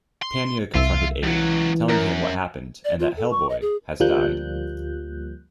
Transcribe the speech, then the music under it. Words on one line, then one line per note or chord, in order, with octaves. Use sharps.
Panya confronted Abe, telling him what happened and that Hellboy has died.
C6
C2 F4 E5
C#2 E3 F#3
F#2 A#4
D5
F4
A4
C#6
D#5
G#4
D2 F3 G3 A#3 F#6 G6